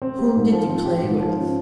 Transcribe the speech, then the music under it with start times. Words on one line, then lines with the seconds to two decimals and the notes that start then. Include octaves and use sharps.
"Whom did you play with?"
0.02 C4
0.18 G4
0.36 G#2
0.52 F3
0.70 C4
0.85 G4
1.02 G#2
1.20 F3
1.37 C#4